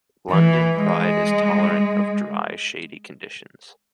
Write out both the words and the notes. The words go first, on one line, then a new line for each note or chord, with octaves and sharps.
London Pride is tolerant of dry, shady conditions.
E3
G#3